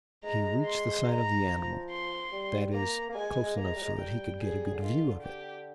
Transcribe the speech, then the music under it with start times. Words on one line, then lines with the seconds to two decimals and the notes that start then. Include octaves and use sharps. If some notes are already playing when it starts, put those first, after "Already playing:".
He reached the side of the animal, that is, close enough so that he could get a good view of it.
0.24 G#3 A#5
0.66 C6
1.08 A#5
1.49 F3
1.91 C6
2.32 G3
2.73 A#3 A#5
3.09 A#3
3.15 G#3 G#5
3.30 G#3
3.44 G#3
3.57 A#3 A#5
3.66 G#3
3.74 G3
3.82 G#3
3.94 G#3
3.98 G3 G5
4.40 G#4
4.74 D3
4.82 D#3 F4
5.03 D3
5.23 G4